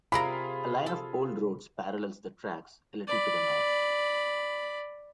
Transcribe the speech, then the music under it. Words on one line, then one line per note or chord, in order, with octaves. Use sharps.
A line of old roads parallels the tracks, a little to the north.
C3 F4 G#4 A#4 F5 A#5 B5
A4
D5 B5